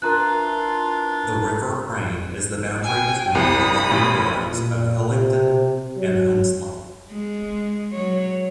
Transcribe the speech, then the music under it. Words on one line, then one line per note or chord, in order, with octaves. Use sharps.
The River Crane is the boundary between the London boroughs of Hillingdon and Hounslow.
E3 D4 F4 A#4 A#5 F#6
G5 G#5
C2 B5 D#6
A1
A#2
C3
F#3
G#3
F#3 C#5